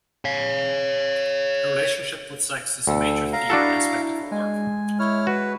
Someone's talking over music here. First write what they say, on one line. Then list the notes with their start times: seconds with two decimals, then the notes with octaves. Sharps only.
Her relationship with sex is a major theme and aspect of her work.
0.25 C#5 F5
2.87 D2 A4
3.33 F5 A#5
3.50 D4 E4 F#4 A4
4.32 G#3 G#5
4.99 E4 C#5 F6
5.27 F#4 B4